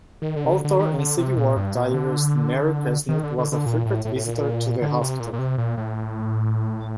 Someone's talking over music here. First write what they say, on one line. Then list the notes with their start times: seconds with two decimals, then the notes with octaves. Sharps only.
Author and Civil War diarist Mary Chesnut was a frequent visitor to the hospital.
0.22 D#3
0.36 D3
0.45 C3
0.51 D3
0.65 D3
0.79 D#3
0.98 D3
1.18 C3
1.37 A#2
1.56 G2
1.75 A#2
1.94 D3
3.09 D#3
3.23 D3
3.38 D3
3.52 D3
3.66 A#2
3.86 A2
4.05 A2
4.16 A2
4.24 A#2
4.82 D3
5.01 C3
5.20 A#2
5.33 A#2
5.39 C3
5.58 A#2
5.77 A2